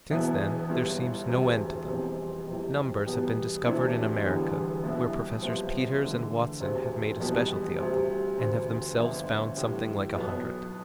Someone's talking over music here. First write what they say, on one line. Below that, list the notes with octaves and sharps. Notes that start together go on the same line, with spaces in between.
Since then there seems no end to them; numbers have been discovered in America, where Professors Peters and Watson have made a specialty of them, and have themselves found something like a hundred.
E1 E2 B2 B3 E4
G1 G2 E3
E1 D2 C3
F1 E2 B2 G3 C4
F1 F2 C3 E3
E2 B2 G3 B3
D2 C3 E3 A3 D4
E1 E2 D3 G3 B3
C2 B2 B3 E4
G1 F2 C3 F3
E2 D3 A3
E1 D2 C3
F1 E2 B2 G3 B3
D2 C3 G3
E1 D2 D3
G1 F2 D3
A2 E3 G3
B1 B2 B3